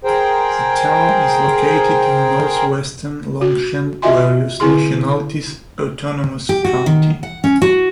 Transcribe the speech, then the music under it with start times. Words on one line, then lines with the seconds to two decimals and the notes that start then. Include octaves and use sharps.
The town is located in northwestern Longsheng Various Nationalities Autonomous County.
0.05 G#4 A#4 C5 G5
3.41 F#4
4.02 F4 F#4 D#5 E5 G#5 C6
4.60 D3 C4 E4 G#4 C6
6.49 G4
6.64 F#4
6.86 D#3
7.23 F#5
7.44 C#4
7.62 F#4